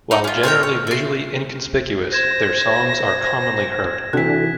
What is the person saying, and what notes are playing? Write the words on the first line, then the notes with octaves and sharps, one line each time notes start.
While generally visually inconspicuous, their songs are commonly heard.
D#4 A4
C#4 F4
F4 A#4 C#5 G5
C#5
E5 C6
C5 G6 G#6 A#6 E7
C3 E3 D4 F#4 A4 F#6 B6